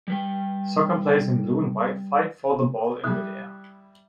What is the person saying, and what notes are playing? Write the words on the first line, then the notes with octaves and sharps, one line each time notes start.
Soccer players in blue and white fight for the ball in midair.
G3 B4 G5
G3 E4 D#6 F#6